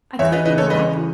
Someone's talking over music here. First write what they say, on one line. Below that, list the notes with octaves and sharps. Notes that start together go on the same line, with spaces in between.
I could be black.
E2 C#5 E5
B4 D#5
C#3 B4 D#5
A4 C#5
E2 B4 D#5
E3